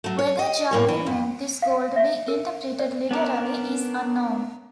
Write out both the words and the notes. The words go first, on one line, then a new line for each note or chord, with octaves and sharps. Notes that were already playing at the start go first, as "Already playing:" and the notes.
Whether Jabir meant this goal to be interpreted literally is unknown.
F#3 A3
C#5
D#5
A2 A#3 C#5
E3
F2
F5
E5
A#4
D5
B3 C#4 D4 G4 A#4